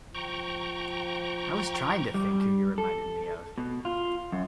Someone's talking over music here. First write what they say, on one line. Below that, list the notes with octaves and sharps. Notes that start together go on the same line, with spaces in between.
I was trying to think who you reminded me of.
F3 G5 A#5 C#6
G3
A4
B2
F4
F#2